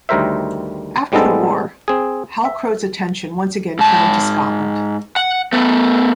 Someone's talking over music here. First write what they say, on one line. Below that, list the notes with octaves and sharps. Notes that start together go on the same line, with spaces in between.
After the war, Halcrow's attention once again turned to Scotland.
D2 D#3 G3 A#4 C5 E5
A2 G3 G#3 B3 C4 A4
C4 G#4
E5
G#2 A5
F#5
A3 B3